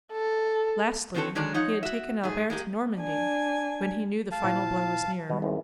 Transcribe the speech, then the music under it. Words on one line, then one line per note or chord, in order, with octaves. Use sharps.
Lastly, he had taken Albert to Normandy when he knew the final blow was near.
A4
D3 D#3 C4 F#4 A4 C#5
D3 D#3 F#3 G#3 D4
F3 D#4 C#5 F#5
F#4 E5
G#2 A3 G#4
G#3 A#3 D#4 G4
D4 G#5
F5 A5
A#2 F3 E4 C5
B2 D#3 G3
G#1 E2 C3